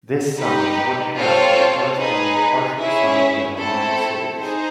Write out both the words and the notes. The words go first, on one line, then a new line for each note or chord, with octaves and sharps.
This sum is one half of the corresponding partial sum of the harmonic series.
D#4 G4 B4
C4 F4 A4 C#5 F5
D#4 G#4 B4
C#4 E4 G#4 C#5 E5
A3 C4 E4 A4
D#4 G#4 C5